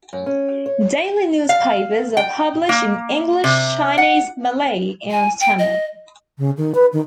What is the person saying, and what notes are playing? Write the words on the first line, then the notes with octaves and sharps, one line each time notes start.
Daily newspapers are published in English, Chinese, Malay, and Tamil.
F#2
C#4
C#5
F5
G5
A#3
C3
F#5
G#5
G5
D#5
C#3
D#3
B4
D#3